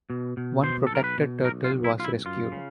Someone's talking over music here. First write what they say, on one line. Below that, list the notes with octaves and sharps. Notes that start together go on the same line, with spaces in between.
One protected turtle was rescued.
B2
B2
B2 C5
A4
B1 A#4
B4
B2
B1 A#4
F4
B1
E4
B1 F4
E4
F#2 F4
C#3